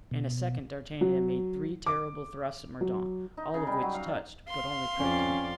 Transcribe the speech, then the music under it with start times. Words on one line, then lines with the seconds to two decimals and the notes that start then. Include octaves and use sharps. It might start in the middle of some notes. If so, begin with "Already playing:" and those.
In a second D'Artagnan had made three terrible thrusts at Mordaunt, all of which touched, but only pricked him.
0.11 B2
1.01 F#3
1.86 D6
2.81 F#3
3.37 D#4
3.54 C#3
3.67 G3
3.82 F#3
3.95 F5
4.07 D5
4.49 F5 C6
4.99 F2 C#4 D5